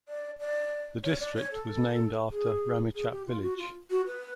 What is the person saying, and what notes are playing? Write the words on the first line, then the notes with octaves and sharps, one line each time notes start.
The district was named after Ramechhap village.
D5
D5
C#5
D5
C#5
A4
G#4
G#4
G4
F4
F#4
F4
F#4
B4